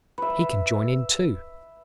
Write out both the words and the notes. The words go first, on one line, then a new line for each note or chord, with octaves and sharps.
He can join in too.
B4 E5 B5